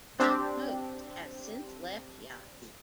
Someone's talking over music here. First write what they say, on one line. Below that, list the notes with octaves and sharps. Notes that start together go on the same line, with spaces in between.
Tom Coates has since left Yahoo.
C4 D4 G4